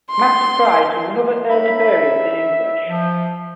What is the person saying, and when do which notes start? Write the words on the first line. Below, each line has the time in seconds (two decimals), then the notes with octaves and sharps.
"Masterprize" was another early variant in English.
0.11 C6
1.50 C#4 D#4 E5 B5
2.88 F3